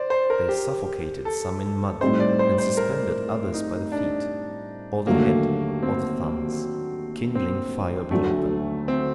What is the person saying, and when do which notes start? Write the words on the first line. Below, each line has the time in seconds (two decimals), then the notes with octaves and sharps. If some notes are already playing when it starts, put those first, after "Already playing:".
They suffocated some in mud, and suspended others by the feet, or the head, or the thumbs, kindling fires below them.
Already playing: C5 D5
0.10 C5
0.30 A#4
0.49 G4
1.25 A4
2.01 A2 G3 C4 D#4 C5
2.20 D5
2.39 C5
2.58 C5
2.77 A#4
3.54 D#4
3.92 D4
5.06 D#2 D3 F#3 A3 A#3
5.83 C4
7.35 C4
8.11 D2 D3 F#3 A3
8.88 C4